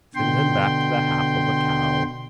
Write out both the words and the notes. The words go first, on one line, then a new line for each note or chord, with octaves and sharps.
Send him back the half of a cow.
B2 D3 G5 C6